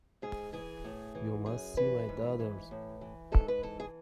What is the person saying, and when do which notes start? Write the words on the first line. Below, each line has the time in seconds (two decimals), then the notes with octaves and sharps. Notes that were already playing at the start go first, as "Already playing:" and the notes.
You must see my daughters.
0.22 G#2 G#4
0.53 E3 G#4
0.84 A2
1.15 E3
1.46 F#2 G#4
1.77 E3 B4
2.09 G#2
2.39 E3
2.71 A2
3.01 E3
3.32 G#2 A4
3.48 B4
3.63 E3 A4
3.80 G#4